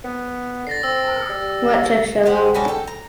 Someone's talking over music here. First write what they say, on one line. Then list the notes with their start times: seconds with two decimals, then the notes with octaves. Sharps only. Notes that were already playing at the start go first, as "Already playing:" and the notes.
What took so long?
0.04 B3
0.67 D3 A6 A#6 C7
0.83 C4 E6
1.29 G3
2.25 G4 C5 F#5
2.54 G3 C#4 D4 F#4
2.68 A4 G5
2.87 A#5